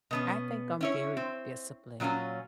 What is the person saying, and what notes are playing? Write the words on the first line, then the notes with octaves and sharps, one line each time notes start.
I think I'm very disciplined.
B2 B3 C#4
C#4 E4 C#5
C4
A#2 F#3 C#4 F4 G#5